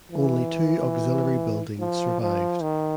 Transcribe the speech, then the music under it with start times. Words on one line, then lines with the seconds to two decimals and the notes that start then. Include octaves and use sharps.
Only two auxiliary buildings survived.
0.12 E3
1.79 F3
2.21 F3
2.62 D#3